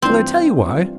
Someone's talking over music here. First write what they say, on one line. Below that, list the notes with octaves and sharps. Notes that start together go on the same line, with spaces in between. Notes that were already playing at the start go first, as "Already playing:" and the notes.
Shall I tell you why?
G2 E3 A3 C4 D4 F4